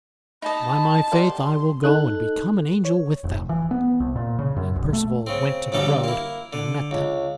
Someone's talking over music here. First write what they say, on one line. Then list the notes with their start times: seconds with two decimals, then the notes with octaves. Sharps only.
"By my faith, I will go and become an angel with them." And Perceval went to the road and met them.
0.42 D#4 D#5 A5 B5
1.12 G3 F#4 D5 C6
1.84 D#4 A4 F#6
2.85 C#5
3.24 F1
3.49 E3
3.71 B3
4.00 C2
4.16 A#2
4.39 C#3
4.56 F#2
4.76 B1
4.93 A3
5.27 C#3 C4
5.72 A1 D2 C#3 G3 A4 A#5
6.04 A#3 E4
6.53 D3
6.91 C#2